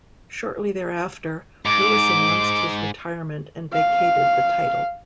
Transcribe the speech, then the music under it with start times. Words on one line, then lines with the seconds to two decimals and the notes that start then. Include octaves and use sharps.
Shortly thereafter, Lewis announced his retirement and vacated the title.
1.66 G#2 D6
3.73 F5